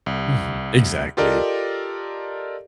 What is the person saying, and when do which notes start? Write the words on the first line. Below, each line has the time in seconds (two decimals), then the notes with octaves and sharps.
Mhm. Exactly.
0.06 C2
1.17 F4 G4 A4 A#4 D5 D#5